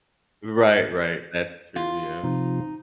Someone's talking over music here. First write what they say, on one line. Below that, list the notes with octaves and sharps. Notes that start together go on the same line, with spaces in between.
Right, right, that's true, yep.
F4
C3 F3 D#4